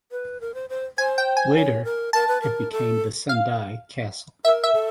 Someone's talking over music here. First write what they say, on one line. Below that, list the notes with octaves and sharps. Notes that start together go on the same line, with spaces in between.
Later, it became the Sendai castle.
B4
A#4
C5
C5
C5 G#5
G5
G#5
C#5
A#4
A#4 A5
B4
A#4
A4
F5
A#4 E5
E5
A4